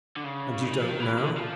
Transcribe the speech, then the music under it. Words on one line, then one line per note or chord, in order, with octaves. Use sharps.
"And you don't now?"
D3
C#3
D#3
E3
F3
D#3
E3
D3
F3